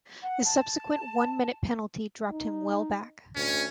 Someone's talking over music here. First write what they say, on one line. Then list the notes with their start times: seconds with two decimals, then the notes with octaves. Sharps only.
The subsequent one-minute penalty dropped him well back.
0.23 F#5
0.44 A5
2.30 D#4
3.36 D2 C#4